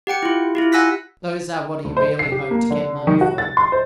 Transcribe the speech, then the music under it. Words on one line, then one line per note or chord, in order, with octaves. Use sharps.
Those are what he really hoped to get money for.
G4 F#5 G5 C#7
E4 F4
E4 F4 G4
F#5 G#5 E6 F#6 A#6 B6
D2
C5
C7
G4
A#3
D3
D#3
F#4
A6
C6
C5